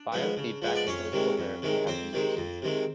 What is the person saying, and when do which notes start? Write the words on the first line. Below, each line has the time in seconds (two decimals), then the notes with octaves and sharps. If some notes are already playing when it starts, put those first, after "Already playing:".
Biofeedback and physical therapy have been used in treatment.
Already playing: D4
0.12 F3 G#3 B3
0.37 C#3
0.62 F3 G#3 B3
0.75 D5
0.87 F2 C#4 C#5
1.12 C3 D#3 G#3
1.38 F2
1.62 C3 D#3 G#3
1.87 F2 C4 C5
2.13 C3 D#3 G#3
2.37 F2
2.62 C3 D#3 G#3